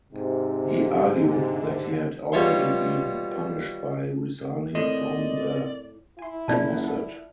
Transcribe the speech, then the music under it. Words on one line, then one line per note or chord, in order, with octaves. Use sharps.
He argued that he had already been punished by resigning from the Knesset.
G#2 C3
D3
B2 G3 F4 C#5 E5 C6
A2 C4 A#4 D5 D#5
E4 G#5 C6
F#1 B2 F3 C4 F4 D5 A5
A4 F#5